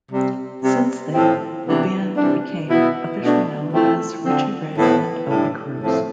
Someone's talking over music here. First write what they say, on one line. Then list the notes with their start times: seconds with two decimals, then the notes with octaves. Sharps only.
Since then the band became officially known as Richie Ray and Bobby Cruz.
0.11 C3 G3 C4
0.62 C3 G3 C4
1.13 A2 F3 C4 E4
1.66 C3 E3 B3 D4
2.17 C3 E3 G3 D4
2.70 B2 B3 E4
3.22 B2 A3 D4
3.73 F3 A3 C4 E4
4.25 D3 F3 C4
4.77 A2 F3 B3 E4
5.30 A2 G3 D4
5.81 A2 F3 A3 C4